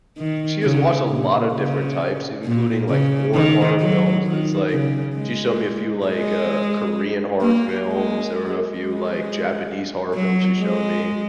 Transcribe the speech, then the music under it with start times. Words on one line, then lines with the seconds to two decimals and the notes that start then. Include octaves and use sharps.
She has watched a lotta different types, including, like, foreign horror films, it's like she showed me a few, like, uh, Korean horror films or a few, like, Japanese horror films she's shown me,
0.17 D#3
0.63 C#3
1.08 A#2
1.54 C#3
2.44 A#2
2.89 C#3
3.34 D#3
3.80 F#3
4.25 D#3
4.70 C#3
5.15 G#3
6.06 G#3
7.42 A#3
7.87 G#3
8.78 G#3
10.14 F#3
10.59 G#3